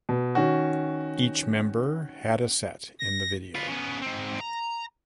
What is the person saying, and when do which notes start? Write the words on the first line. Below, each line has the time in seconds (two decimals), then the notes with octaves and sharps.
Each member had a set in the video.
0.09 B2
0.35 D#3 C#4 F#4
2.99 A#6
3.55 F4 B4
3.68 C#3 B3
4.02 G#2 C4
4.40 A#5